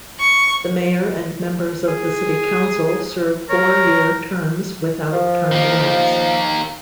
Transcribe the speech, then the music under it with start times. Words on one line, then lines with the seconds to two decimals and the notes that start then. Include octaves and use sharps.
The mayor and members of the city council serve four-year terms without term limits.
0.20 C#6
1.88 G#4
3.50 A#4 C#5
5.12 F3
5.52 D#3 A#3